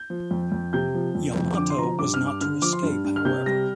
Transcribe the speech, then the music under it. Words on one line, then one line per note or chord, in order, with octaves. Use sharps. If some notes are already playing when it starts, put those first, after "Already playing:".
"Yamato" was not to escape, however.
Already playing: G6
F3
F2
F2
C3 G6
F3
F2
F2
D3 D6
C6
F3 A#5
G2 D6
F6
G2
D6
D3 F6
F3 D6
C6
G2
G2
F6
C3 G6
G3 A#6